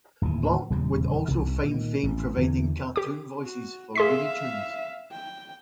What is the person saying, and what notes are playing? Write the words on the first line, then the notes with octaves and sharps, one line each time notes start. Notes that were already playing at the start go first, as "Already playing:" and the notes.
Blanc would also find fame providing cartoon voices for "Looney Tunes".
D1 D#2 D3 E3
D#1 E2 C#3 G3
C2 C3
A#2 D#3
A1
E2 D3 E3
G4 D6
F#4
G#4 E5 F5 C6 B6
G5